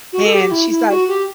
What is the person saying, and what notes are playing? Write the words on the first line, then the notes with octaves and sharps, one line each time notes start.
and she's like,
F#4
A4
G4
E4
E4
F#4
G4